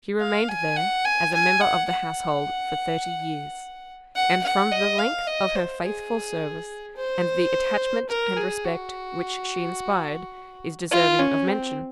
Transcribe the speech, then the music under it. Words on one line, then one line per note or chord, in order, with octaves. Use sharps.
She remained there, as a member of the household, for thirty years; and from the length of her faithful service, and the attachment and respect which she inspired, is deserving of mention.
F5
G#5
F#5
G#5
G#5
F#5
F#5
F#5
F#5
D#5
F5
D#5
C5
G#4
C5
A#4
G#4
F#4
F4
C#4
C4